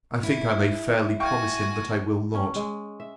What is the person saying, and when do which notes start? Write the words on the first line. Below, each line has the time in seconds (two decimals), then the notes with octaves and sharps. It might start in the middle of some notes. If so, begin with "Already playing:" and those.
I think I may fairly promise him that I will not.
0.23 E4
1.20 F#4 F5 G5 G#5 C#6
2.34 C#4
2.56 G#3
3.00 E5